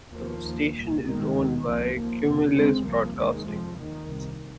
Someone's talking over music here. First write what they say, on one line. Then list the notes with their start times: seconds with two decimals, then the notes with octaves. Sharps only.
The station is owned by Cumulus Broadcasting.
0.12 D#2 F3 A#3
0.43 D#2
0.74 C2 A#2
1.04 C2 A#2 D#3 G#3
1.33 D#2
1.64 C2 C3 F3 A#3
1.94 D#2 F3 A#3
2.25 F2 C3
2.55 D#2 G#3 C4
2.86 C2 C3 F3 A#3
3.16 D#2 D#3 G#3
3.47 F2 C3 F3
3.77 D#2 D#3
4.07 C2 C3